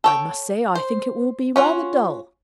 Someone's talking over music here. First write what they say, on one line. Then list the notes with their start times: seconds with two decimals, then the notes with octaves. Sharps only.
"I must say, I think it will be rather dull."
0.04 A4 C#5 G5
0.75 C5
1.56 C#4 F4 F#4